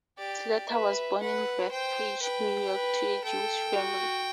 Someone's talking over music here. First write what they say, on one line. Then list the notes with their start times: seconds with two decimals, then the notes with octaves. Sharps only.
Slater was born in Bethpage, New York to a Jewish family.
0.18 G4 D5
0.69 B4 E5
1.20 B4 F#5
1.71 C5 G5
2.22 B4 G5
2.73 B4
3.24 A4 G5
3.75 F#4